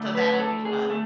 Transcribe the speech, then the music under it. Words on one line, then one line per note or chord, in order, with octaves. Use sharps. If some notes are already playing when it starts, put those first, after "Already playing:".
So that'll be fun.
Already playing: D2 D3 A3
B4
A4
G#4
A3